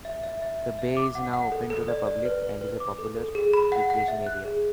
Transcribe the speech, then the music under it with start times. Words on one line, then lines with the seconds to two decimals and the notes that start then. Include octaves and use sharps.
The bay is now open to the public and is a popular recreation area.
0.05 E5
0.24 E5
0.42 E5
0.60 E5
0.79 E5
0.97 D6
1.15 F#5
1.33 F#5
1.52 A4
1.70 A4
1.88 D5
2.07 D5
2.25 B4
2.43 B4
2.61 B4
2.80 D6
2.98 A4
3.17 A4
3.35 G#4
3.53 B5
3.72 F#5
3.90 F#5
4.08 E5
4.27 F#6
4.45 G#4